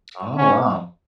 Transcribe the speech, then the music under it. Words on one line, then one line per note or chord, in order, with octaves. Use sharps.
Oh, wow.
C#4